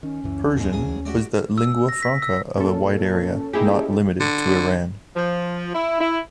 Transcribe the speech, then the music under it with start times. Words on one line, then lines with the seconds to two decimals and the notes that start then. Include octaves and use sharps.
Persian was the "lingua franca" of a wide area, not limited to Iran.
0.03 D#3 C#4
0.24 C#2 F#2 E3
0.56 D#2 B2 G#3
0.73 D2 C#4 G#4
1.05 G#3 A3 F#4 G4 D5
1.58 E6
1.89 A#6
2.02 B6
2.22 E6
2.57 A#2 C#4 A4
3.53 A#3 D#4 E4 G4 G#4
4.21 D3
5.16 F3
5.74 E4
6.00 E4